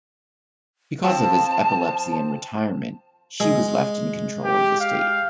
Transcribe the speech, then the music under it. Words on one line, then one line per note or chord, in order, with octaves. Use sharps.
Because of his epilepsy and retirement, she was left in control of the state.
F3 C4 A5
G#3
G4
F5